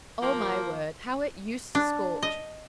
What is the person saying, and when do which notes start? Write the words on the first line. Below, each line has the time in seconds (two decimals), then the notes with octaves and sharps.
Oh, my word, how it used to scorch!
0.22 F3 A#3
1.75 D4
2.22 D#5